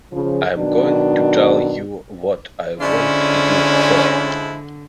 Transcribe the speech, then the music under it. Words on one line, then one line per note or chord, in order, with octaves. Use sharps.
I'm going to tell you what I want you for.
C#3 F3
B2 D#3 F#3 D4
D3 F3 G#3 C#4 E4 D5